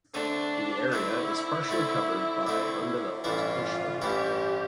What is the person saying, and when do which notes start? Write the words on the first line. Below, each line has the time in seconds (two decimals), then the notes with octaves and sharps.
The area is partially covered by undeveloped bushland.
0.14 D3 A3 C4 D4
0.92 D3 A3 C4 E4
1.69 D3 A3 C4
2.47 D3 A3 C4
3.24 A1 G2 E3 A3 E4 F4
4.02 A1 G2 E3 A3 E4 G4